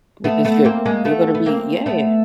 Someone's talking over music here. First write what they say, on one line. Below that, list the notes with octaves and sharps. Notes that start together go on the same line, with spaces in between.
because you're you're gonna be yeah.
A3 B3
A3 B3
A#3 C4
G#3 A#3
A3 B3
B3
A#3 C4
A3 B3